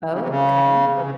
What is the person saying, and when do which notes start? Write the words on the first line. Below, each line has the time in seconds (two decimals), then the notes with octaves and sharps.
Oh, okay.
0.11 C#3
0.20 C3
0.28 C#3
0.92 C3
0.97 E3
1.01 C#3